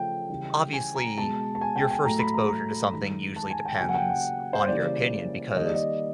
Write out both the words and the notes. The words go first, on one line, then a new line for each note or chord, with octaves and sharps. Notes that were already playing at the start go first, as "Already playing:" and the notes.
obviously, your first exposure to something usually depends on your opinion, because,
Already playing: C#3 F3 A3 G5
C#3 E3 G3
G#5
A#5
B2 G#3 A5
A5
G#5
G5
G#5
A2 F#3 A3 A#5
B5
A#5
A#5
D#3 G#3
A5
G#5
G5
C#3 F#3 A#3 G#5
F#5
G5
F#5
C5
C#3 E3 G3 A#3 D5
D#3 G3 A#3 D#5
D5
D#5